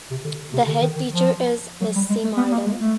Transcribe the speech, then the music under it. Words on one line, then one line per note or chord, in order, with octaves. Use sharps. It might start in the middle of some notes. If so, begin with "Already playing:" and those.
The headteacher is Miss C Mardell.
C3
D3
C3
D3
D#3
D#3
F3
F#3
G3
G#3
A3
B3
A#3
G#3
A3